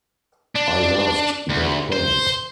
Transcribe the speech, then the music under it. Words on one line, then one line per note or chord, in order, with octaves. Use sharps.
I loved that place.
D4
D2
C5